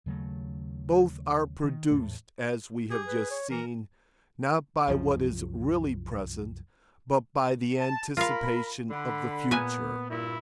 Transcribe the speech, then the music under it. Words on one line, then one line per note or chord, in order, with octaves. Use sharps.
Both are produced, as we have just seen, not by what is really present, but by the anticipation of the future.
D#2 C#3 F#3 A3
D#3
E2 A2 A3
G4 G#4
B4
C#5
E3 A#4
C2 F#2 F3
A5
F4 A#4 F5 B5
D3 B5
A#2 B3 B4 G#5
G2 A#2 E4